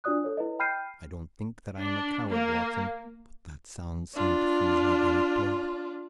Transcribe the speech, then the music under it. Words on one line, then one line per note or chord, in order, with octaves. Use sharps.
I don't think that I am a coward, Watson, but that sound seemed to freeze my very blood.
D4 F4 F#4 D5 D#6 F#6
A4 C#5
E4 B4 D#5
G5 B5 F6 G6 C7 D#7
D4
A#3
D4 F4